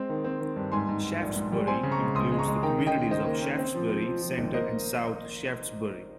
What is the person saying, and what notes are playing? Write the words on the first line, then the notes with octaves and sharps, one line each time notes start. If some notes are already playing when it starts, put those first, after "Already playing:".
Shaftsbury includes the communities of Shaftsbury Center and South Shaftsbury.
Already playing: G#3 C4
D#3
C4
D#3
G2
G#2 G#5 C6
G#2
G#2
A#1
G#2
G3
C4 G#5 C6
C#3
A#5 C#6
G#3
C#2 C6 D#6
G#3
A#5 C#6
G#3
D#3 G5 A#5
C#4
D#5 G5
A#3
D#3 C5 D#5
A#3
C#4
C4
F3
C4
F3
F3
G#1
A#3 C5 D#5